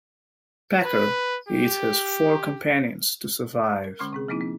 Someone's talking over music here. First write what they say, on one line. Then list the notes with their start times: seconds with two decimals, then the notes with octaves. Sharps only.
Packer ate his four companions to survive.
0.85 B4
1.49 G4
3.84 A#4
3.99 D3 G#3 C#4 C6 C#6 F6
4.13 C3 C4 G#4
4.28 F3 A#3 C4 D#4 E4
4.41 C4